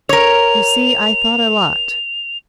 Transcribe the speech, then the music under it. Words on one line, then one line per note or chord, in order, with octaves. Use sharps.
You see, I thought a lot.
A#4 C#5 F7